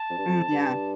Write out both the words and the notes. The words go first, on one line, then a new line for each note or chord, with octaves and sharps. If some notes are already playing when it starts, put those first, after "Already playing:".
Mm, yeah.
Already playing: A5
F2
G2
F2
G2